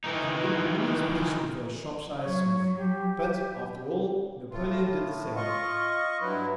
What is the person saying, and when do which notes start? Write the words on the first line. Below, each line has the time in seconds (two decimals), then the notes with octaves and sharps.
An ignominious position for a Shropshire Psmith, but, after all, Napoleon did the same.'
0.04 D#3 E3 D#4
2.22 F#3 C#5
2.77 G4
4.51 A2 F4
5.36 F4 D#5 C#6
6.21 G2 F#3 E4 B4